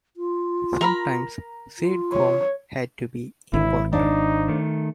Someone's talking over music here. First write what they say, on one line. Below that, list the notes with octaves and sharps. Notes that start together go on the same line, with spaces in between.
Sometimes seed corn had to be imported.
F4
A#4 A#5 B5
F4
C#5
G#1 E4
D4 D#4 C5 F5
D#3 A3